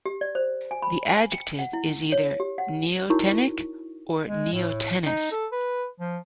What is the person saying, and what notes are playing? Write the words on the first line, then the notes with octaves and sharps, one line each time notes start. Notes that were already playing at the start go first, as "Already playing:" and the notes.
The adjective is either "neotenic" or "neotenous".
G4
D5
C5
G#5
B5
G#5
G5
F#5
E4
C#5
G4
F#5
D#4 E4 F#4 A#4 C#5 C#6
G#3
A2
D#4
A4
B4
F3